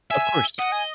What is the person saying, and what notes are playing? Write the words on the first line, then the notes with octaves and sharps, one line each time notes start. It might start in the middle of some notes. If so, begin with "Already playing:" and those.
Of course,
E5 G#5
D#5 F#5
G#5